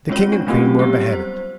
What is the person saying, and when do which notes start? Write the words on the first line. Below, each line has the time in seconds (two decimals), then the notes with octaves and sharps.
The king and queen were beheaded.
0.09 G#3 C4 C#4 F4 C#5
0.32 D4
0.47 F#3 A3 C4 C#4 F4 G4
0.79 G3 B3 F4 G4
1.12 C5